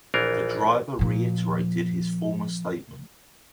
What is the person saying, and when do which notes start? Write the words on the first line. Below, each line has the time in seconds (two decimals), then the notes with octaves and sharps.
The driver reiterated his former statement.
0.14 A#1 E3 F4 A#4
0.99 A#2 F3